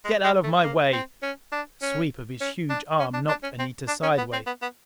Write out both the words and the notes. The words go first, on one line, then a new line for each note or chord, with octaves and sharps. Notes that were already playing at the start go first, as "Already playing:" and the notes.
"Get out of my way!" A sweep of his huge arm knocked Anita sidewise.
G#3
G#3
A3
A#3
C4
C#4
D4
C#4
C#4
D4
C#4
D4
D4
C#4
C4
D4
C#4
B3
C4
B3
B3